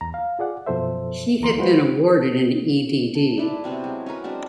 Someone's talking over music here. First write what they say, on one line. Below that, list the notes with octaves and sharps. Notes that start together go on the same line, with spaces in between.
He had been awarded an Ed.D.
E2 A#5
F5
F4 G#4 D5 F#5
F#2 B2 F3 A4 C5 E5
D2 E3 A#5 C6
G#3 F4 F#4 B4 C5
A5
D4 E4 B4
C3 B3 C4 F#4
F#3 G#3
C#4 F#4 A#4 B4
G#3 C4 D4 F#4